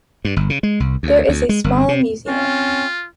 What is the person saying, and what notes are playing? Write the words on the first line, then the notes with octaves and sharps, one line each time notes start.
There is a small museum.
G2
G1
C#3
G#3
C2
D2
D2
G#3
G1
C3
C4 C#4 F4